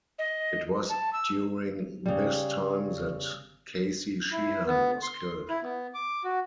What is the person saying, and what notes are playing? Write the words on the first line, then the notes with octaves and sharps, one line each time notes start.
It was during this time that Casey Sheehan was killed.
D#5
A5
E6
C#3 G3
E4
B3
C6
E4
B3
D6
F#4